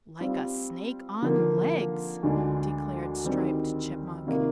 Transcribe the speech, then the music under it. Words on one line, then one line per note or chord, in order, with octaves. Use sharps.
"Like a snake on legs," declared Striped Chipmunk.
G3 C4 F4
D3 F3 A#3
D2 D3 G#3 D4
D#3 G3 C4
C3 D#3 A#3 F4